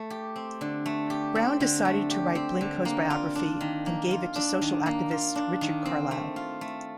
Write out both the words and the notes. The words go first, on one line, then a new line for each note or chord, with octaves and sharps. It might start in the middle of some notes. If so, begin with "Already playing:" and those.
Brown decided to write Blincoe's biography and gave it to social activist Richard Carlisle.
Already playing: A3
G4
C4
D3
A3
G4
C4
D3
A3
G4
C4
D3
A#3
F4
D4
D#3
A#3
F4
D4
D#3
A#3
F4
D4
D#3
C4
A3
F4
A3